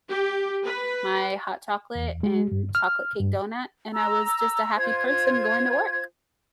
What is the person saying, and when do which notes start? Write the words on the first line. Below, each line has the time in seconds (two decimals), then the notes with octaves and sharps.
my hot chocolate and chocolate cake donut, and I was just a happy person going to work.
0.11 G4
0.64 B4
1.95 E2
2.23 G#3
2.52 G2
2.75 F6
3.20 G2
3.93 A#5 E6
4.77 F4 C5 G#6